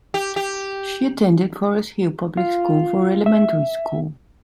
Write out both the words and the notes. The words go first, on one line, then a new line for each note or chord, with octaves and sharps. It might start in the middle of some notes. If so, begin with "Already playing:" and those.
She attended Forest Hill Public School for elementary school.
G4
G4
F4
E5